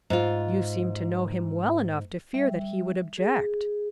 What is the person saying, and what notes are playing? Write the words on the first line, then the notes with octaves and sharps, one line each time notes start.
"You seem to know him well enough to fear that he would object."
G#2 F4
G3 E5
G#4